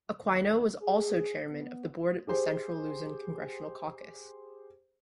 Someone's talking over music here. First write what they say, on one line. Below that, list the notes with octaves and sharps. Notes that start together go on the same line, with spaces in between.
Aquino was also Chairman of the Board of the Central Luzon Congressional Caucus.
D#2
G#4
B3
G4 G#4 C5